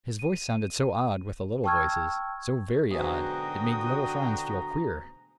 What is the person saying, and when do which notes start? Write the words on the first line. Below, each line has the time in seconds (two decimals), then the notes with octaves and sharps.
His voice sounded so odd, with the little voices,--so very odd,--it made little Franz feel queer.
0.19 D#7
1.64 G5 A5 C#6 E6 F6 G#6
2.91 B1 G#2 D3 F#4 G5 A#5 D#6